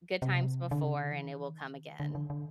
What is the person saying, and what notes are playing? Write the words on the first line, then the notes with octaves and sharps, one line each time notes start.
good times before, and it will come again.
C3
D3
C#3
D3
E3
D#3
E3
D#3
D3
D3
D3